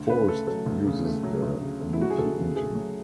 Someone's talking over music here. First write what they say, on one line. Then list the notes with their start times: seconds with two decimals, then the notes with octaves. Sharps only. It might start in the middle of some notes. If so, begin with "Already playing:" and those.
"Forced" uses the Unity engine.
Already playing: D2
0.09 C#3 B4
0.28 A3 A4
0.47 F#3 A4
0.66 D2
0.85 C#3
1.05 A3
1.23 F#3
1.42 D2
1.61 C#3
1.80 A3
1.93 E4
2.00 F#3 F#4
2.10 G#4
2.18 D2 A4
2.37 C#3
2.56 A3 G#4
2.75 F#3